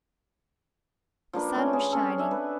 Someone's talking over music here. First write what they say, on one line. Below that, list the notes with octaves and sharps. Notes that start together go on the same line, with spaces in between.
The sun was shining.
F3 A#3 D4 B4
A3 C#4
G#4
C4 C#4 G#4 A4
D4 E5
B4